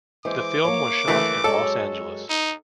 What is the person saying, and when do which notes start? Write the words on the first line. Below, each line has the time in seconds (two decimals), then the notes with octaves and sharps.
The film was shot in Los Angeles.
0.25 E3 G#3 C5 D6
0.65 A#3 C#5
1.08 E3 A3
1.44 F#2 G#3 A4 C#5
2.29 D#4